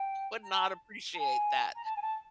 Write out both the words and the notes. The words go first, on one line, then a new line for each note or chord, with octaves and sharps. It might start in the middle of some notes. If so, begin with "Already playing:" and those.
would not appreciate that,
Already playing: G5
A#5
A5
A5
G#5
A#5
A5
G#5
A5